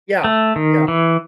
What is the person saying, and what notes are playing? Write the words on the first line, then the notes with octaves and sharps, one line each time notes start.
Yeah, yeah.
A3
D#3
E3